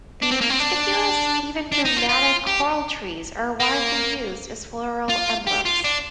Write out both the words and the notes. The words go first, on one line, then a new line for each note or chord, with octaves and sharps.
The conspicuous, even dramatic coral trees are widely used as floral emblems.
D4
C4
A#3
C4
D4
D4
D#4
F4
F4
G4
A#3
F4
G4
F4
D4